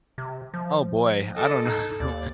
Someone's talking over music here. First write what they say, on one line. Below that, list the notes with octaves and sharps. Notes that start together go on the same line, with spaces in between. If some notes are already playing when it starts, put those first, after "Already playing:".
Oh, boy. I don't kn
C3
F3
A4 D#5
D#4 A4
D#2 D5